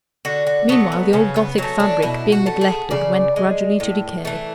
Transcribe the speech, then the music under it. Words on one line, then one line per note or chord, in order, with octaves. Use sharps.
Meanwhile the old Gothic fabric, being neglected, went gradually to decay.
D3 F#4
F#4
F#3 A3 B3
B3
C#3 C#4
B3
F#3 A3 C#4
D4
B2 E4
F#4
A3
G#4
C#3 D5
G#3
A2
E3 A3